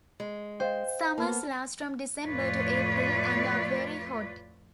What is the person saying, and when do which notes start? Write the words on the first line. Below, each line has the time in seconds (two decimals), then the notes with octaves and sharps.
Summers last from December to April and are very hot.
0.20 G#3
0.60 C5 D#5 F5 G5
1.18 A#3 B3 A5 F6
2.23 F2 A2 F4 B4 C#5 D5